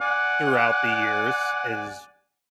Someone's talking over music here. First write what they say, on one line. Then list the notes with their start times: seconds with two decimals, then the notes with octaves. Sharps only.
throughout the years is
0.01 D5 F#5 G#5 D6